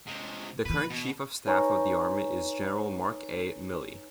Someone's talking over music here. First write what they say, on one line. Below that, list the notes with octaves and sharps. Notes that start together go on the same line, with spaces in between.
The current Chief of Staff of the Army is General Mark A. Milley.
C3 G#3
A#2 E3 B4
B2
D#4 B4 C#5 G#5 A#5 C#6